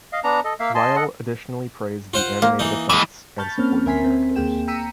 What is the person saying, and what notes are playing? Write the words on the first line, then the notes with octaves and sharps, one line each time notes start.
Lyle additionally praised the animated effects and supporting characters.
D#5 F5
B3 D4 A#5
A4 D#5
A#3 E5 F5
D#5 G#5 A5 C6
A4 D#5 F#5
F4 C5 F#5
A#3
E3 D#4
E3 G#3 B5
A5 B5 C#6 F6 G6 A6
A#3 C4 C#4 F6
D2 A#4 E5 G#5 C6 B6
C4
D#2 A#3 G#4 G5 E7
G5 A#5 E6 B6 C#7 D#7